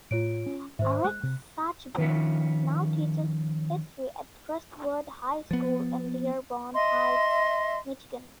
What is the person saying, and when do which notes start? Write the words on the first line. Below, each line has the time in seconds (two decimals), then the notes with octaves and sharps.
Eric Schabo now teaches history at Crestwood High School in Dearborn Heights, Michigan.
0.11 A2 F4 C#5 D7
0.46 C#4
0.79 G#2 D#3 C5 E5
1.04 G#3 F#6
1.23 C3
1.98 D#3 F3 C#4 E5 F#5
5.51 F3 B3
6.74 D#5 E5 C6